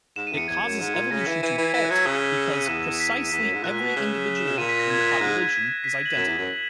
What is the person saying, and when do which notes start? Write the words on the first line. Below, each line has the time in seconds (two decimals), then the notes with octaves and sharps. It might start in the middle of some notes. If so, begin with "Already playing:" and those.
It causes evolution to halt because precisely every individual in the population is identical.
0.16 G#2 E7
0.27 D#7
0.32 E2 C#7
0.48 E2 G#6
0.64 F#2
0.80 G#2
0.95 A#2
1.11 C#3 A#6
1.21 B6
1.27 E3
1.32 E7
1.43 E3 D#7
1.53 C#7
1.58 E3
1.63 B6
1.74 E3 A#6
1.85 F#6
1.91 F#3 E6
2.05 C#3 D#6
2.21 B6
2.37 C#7
2.54 D#7
2.68 E2 E7
2.84 E7
3.00 B6
3.32 E2
3.42 F#2
3.53 G#2
3.63 A#2 F#6
3.80 B2
3.96 C#3
4.37 E7
4.48 E7
4.58 A#2 D#7
4.69 B6
4.79 A#6
4.90 G#6
5.00 F#6
5.11 A#6
5.21 G#2
5.84 B6
5.95 E7
6.06 F#7
6.16 F#2 E7
6.27 E2
6.38 F#2